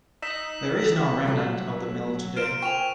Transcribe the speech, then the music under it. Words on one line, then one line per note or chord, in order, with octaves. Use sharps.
There is no remnant of the mill today.
D#4 E6 B6 E7
E3
F#3 G3 A3 D4 F4 C5
F4 A#4 C5 F6 D7 E7
G5 G#5 C#6 E7 F7